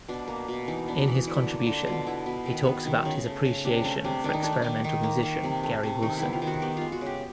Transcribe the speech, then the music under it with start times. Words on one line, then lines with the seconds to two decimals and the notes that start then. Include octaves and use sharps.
In his contribution, he talks about his appreciation for experimental musician Gary Wilson.
0.08 B2 D4
0.28 A#3
0.48 B2
0.68 E3 D#4
0.88 B3 D4
0.98 D#4
1.07 E3
1.27 D3 E4
1.47 A#3
1.66 D3
1.87 B2 F4
2.07 B3 E4
2.26 B2 E4
2.46 D#3
2.65 B3
2.85 D#3
3.05 C#3
3.25 A3
3.45 C#3
3.65 C3 D4
3.84 A3 C#4
4.05 C3 D4
4.24 D#3 D4
4.33 D#4
4.42 A3 D4
4.53 D#4
4.62 D#3 D4
4.84 D#3 D#4
5.03 A#3
5.23 D#3
5.43 C3
5.63 A3
5.83 C3
6.02 D#3 D#4
6.17 B3 E4
6.33 F4
6.42 D#3
6.47 F#4
6.62 B3 G4
6.77 G#3 F4
6.92 F#4
7.01 C#3 G4